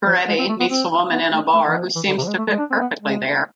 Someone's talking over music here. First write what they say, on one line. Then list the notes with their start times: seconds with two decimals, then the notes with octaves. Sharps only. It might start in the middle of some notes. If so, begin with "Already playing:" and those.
Coretti meets a woman in a bar who seems to fit perfectly there.
0.06 F3
0.28 G#3
0.39 C4
0.49 A3
0.60 B3
0.70 C4
1.12 B3
1.33 A3
1.54 A3
1.67 E3
1.75 F3
1.95 E3
2.07 D3
2.18 C3
2.23 F3
2.28 G#3
2.38 A3
2.49 G#3
2.59 D4
2.70 C4
2.80 B3
3.01 G#3